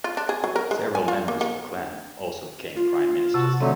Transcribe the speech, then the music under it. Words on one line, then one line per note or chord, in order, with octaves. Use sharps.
Several members of the clan also became prime ministers.
F4
D4
G#4
F#3
A#4
G#3
G#5
F4
A#3
A#3
F4
C3 F#4 A5
D3 D#3 F#3 A3 C4